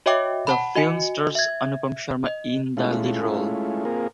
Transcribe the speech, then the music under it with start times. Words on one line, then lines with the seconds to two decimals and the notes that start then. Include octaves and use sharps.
The film stars Anupam Sharma in the lead role.
0.06 F#4 C#5 D#5 E5 G5 D6
0.47 F#5 A5 B5
0.76 F#4 D#5 G#5 C#7
1.35 E5 G#6
2.26 D#5
2.77 G#3 A3 C#4 E4 F4
3.85 A#3 C4 F4 G#4 A#4